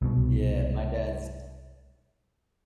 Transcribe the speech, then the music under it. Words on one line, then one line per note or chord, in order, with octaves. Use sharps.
Yeah, my dad's
C2 B2